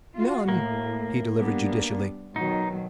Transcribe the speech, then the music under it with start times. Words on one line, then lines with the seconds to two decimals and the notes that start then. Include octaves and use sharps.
"None," he delivered judicially.
0.16 F4 F#4
0.49 A2 A#3
1.36 G3 B3 D4
2.36 B2 D#3 F#3 D#4